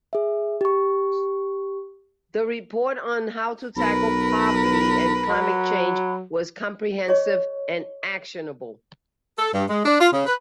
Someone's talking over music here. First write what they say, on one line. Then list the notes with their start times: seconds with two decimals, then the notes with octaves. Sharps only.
The report on how to tackle poverty and climate change was comprehensive and actionable.
0.13 G#4 E5
0.61 G4 C#6
3.77 B1 A#4 B4 B5
5.29 F#3
7.08 G#4 C#5 D#5 C#6
9.39 A4
9.54 G2
9.69 G#3
9.85 D4
10.00 F4
10.12 C#3
10.26 B4